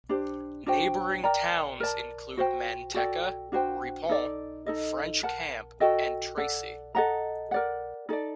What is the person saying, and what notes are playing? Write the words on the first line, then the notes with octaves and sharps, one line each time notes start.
Neighboring towns include Manteca, Ripon, French Camp, and Tracy.
D4 G4 C5
D4 F#4 C5 G5
A#4 D5 G5 A#5
A#4 D5 A5
F#4 C5 G5
F#4 A4 D5 G5
D4 F#4 C5 G5
D#4 A4 D5
D#4 A4 D#5
A#4 F#5 A5
F#4 A4 D#5 G5
A4 D5 F#5
A4 D#5 F#5 A#5
A#4 D5 F#5
D#4 A4 D5